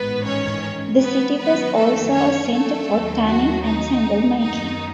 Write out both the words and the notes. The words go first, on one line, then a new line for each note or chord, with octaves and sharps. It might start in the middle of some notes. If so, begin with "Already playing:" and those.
The city was also a center for tanning and sandal making.
Already playing: A1 G#2 D#3 B3 B4
C#4 C#5
B3 B4
F#2 D#3 F#3 B3 B4
A3 A4
C#4 C#5
A3 A4
D#2 D#3 F#3
F#3 F#4
D#4
F#2 D#3 F#3 D#4